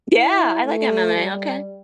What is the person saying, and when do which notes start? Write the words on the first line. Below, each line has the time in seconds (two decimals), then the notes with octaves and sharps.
Yeah, I like MMA, okay.
0.12 E4
0.65 A3
1.16 G3